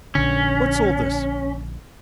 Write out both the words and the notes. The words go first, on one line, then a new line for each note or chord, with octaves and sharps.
'What's all this?
A#1 D3 C#4